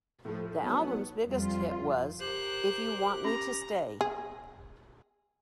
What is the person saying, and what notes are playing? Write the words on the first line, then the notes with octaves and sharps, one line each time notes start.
The album's biggest hit was "If You Want Me to Stay".
A2 F3 A3
F#3 B3 D#4 F#5 A5
F2 G3 F4
G4 A#4 C5 F#6
C#4 A#5
G#4